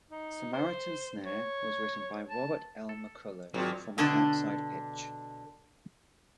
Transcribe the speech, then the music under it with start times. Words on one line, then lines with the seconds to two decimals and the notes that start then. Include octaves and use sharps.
"Samaritan Snare" was written by Robert L. McCullough from an outside pitch.
0.10 D#4
0.53 C5
1.25 C#5
2.29 A5
2.89 A4
3.54 G#1 A#2 F3 F#3 C4
3.98 B2 D3 D4 A5